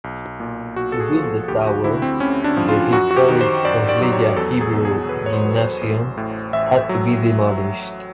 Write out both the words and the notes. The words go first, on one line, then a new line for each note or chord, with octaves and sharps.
To build the tower, the historic Herzliya Hebrew Gymnasium had to be demolished.
B1
A#2
B1 F#4
A4
G#4
F3
A4
D2 G4
F#4
D3 E4
C4
D2 C#4
D4
F3
F4
F#2 F#4
F#4
G4
D#3
C5
F#2 D5
D5
F#3 D5
C#5
E2 A4
G#4
B2
G#4
E2 B4
C#5
C5
F#3 B4
C5
A1
A2
A1 E5
F#3